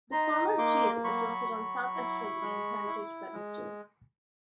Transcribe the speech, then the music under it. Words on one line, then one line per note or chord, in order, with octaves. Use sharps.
The former jail is listed on South Australian Heritage Register.
D#4 A#5 C6
A#3 C6 D6
F#3 B5 C#6
F#3
E4
G#3
E4
G#3